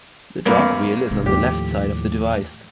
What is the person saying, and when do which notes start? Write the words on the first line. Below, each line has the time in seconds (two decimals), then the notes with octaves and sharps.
The jog wheel is on the left side of the device.
0.46 F#2 A#3 B3
1.11 G#1 G#2 C3
1.26 D#2 A2 F3 G4